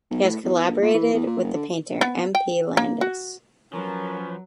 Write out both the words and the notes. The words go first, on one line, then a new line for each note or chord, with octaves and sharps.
He has collaborated with the painter M. P. Landis.
B1
A2
E2
A#1
A#2
E3
E2
A#2
F#1
D3
B3
G5
A#3
F#4
F3 F#3 C#4 A#4 B4